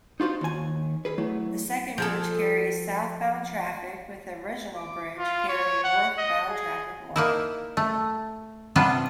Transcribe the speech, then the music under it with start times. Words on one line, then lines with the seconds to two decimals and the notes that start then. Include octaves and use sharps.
The second bridge carries southbound traffic, with the original bridge carrying northbound traffic only.
0.20 D#4 F4 F#4 C5
0.41 D#2 G#5
1.05 G#4 B4
1.18 F#3 A3 E4 G#4
1.98 F3 G#4 A4
4.76 D6
5.18 F4
5.49 C#5
5.84 F#5
6.18 D#5
6.49 G#4
7.16 A#3 D#4 E4
7.77 A3
8.76 C3 G3 B3 D4 F4 B4